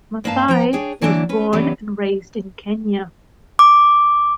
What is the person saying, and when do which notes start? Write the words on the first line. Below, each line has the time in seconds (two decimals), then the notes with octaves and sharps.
Mathai was born and raised in Kenya.
0.24 G2 A#3 B4 F5 A5
0.48 F3 G5 A#5
0.73 D4 G#4 C#5 G5
1.01 D3 E3 F#3 A#3 D4
1.29 C#4 B4
1.53 C#3 E3 F#3 G3 B3
3.59 D6